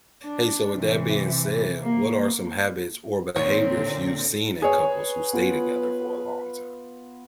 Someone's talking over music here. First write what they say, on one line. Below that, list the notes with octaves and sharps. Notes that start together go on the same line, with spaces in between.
Hey, so with that being said, what are some habits or behaviors you've seen in couples who stay together for a long time?
D4
C3 E3
A#3
A#2 D#3 C4 C#5
D3
G#4 B4 C#5 D#6
B3 F4